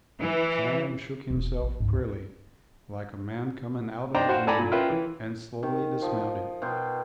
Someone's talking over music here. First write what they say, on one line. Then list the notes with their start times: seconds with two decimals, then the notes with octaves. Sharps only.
Sam shook himself queerly, like a man coming out of a dream, and slowly dismounted.
0.19 E3
1.30 E1
1.61 A1
1.80 C#2 G#2
4.15 D4 D#4 C5 G5 A#5
4.29 F#4 C5 F5
4.47 A4 D5 G#5 A#5 B5
4.59 A#2
4.72 C#4 F4 A#4 B4 E5 G5
4.90 E3
5.63 D#3
6.02 F3 D#5
6.62 B2 A#4 G5 C6